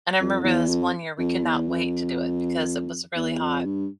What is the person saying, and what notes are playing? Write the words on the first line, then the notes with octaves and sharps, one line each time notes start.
And I remember this one year, we could not wait to do it because it was really hot,
F2
E2
F2
F2
E2
F2
E2
F2
G2